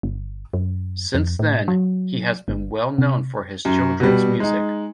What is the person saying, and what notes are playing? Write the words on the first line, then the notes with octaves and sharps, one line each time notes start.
Since then, he has been well known for his children's music.
G1
F#2
F2
A2
F#3
G1
C3
F#2
B2 G3
G#3 D#4